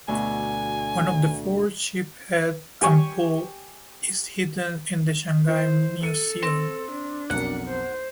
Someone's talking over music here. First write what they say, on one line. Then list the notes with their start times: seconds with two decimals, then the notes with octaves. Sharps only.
One of the four sheep head ampoule is hidden in the Shanghai Museum.
0.08 D2 B2 G#5
2.82 G4 G#5 C#6
5.47 E4 C5
6.03 A4 C#7 D#7
6.43 C4
6.91 D4
7.30 B1 F2 A#4 F#5
7.68 C5